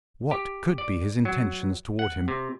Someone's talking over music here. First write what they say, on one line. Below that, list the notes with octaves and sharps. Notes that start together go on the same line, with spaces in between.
What could be his intentions towards him?
G4
D5
F#3
F#5
C3